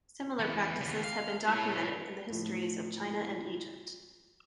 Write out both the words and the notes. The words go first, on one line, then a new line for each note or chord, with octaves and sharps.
Similar practices have been documented in the histories of China and Egypt.
E3 B3
D#2 C#3
F5
E4 C#5
A2 F3